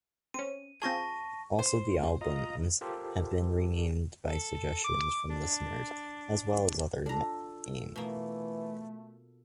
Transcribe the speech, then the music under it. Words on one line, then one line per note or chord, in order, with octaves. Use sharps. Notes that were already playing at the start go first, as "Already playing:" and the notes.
Also the albums have been renamed by suggestions from listeners as well other means.
C4 C#4 D#7
C4 F4 G#4 A5 C#6 A#6
C5
F4 D#5 A#5
F4 G4 A4 A#4 C5
A4
D6
D4
D4 F4 A4 A#5
B2 E3 A3 A#3